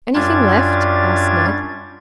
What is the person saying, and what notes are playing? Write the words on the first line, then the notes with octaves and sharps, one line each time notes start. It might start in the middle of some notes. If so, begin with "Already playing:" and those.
"Anything left?" asked Ned.
F#2 G3 D4 F4 G#6 A6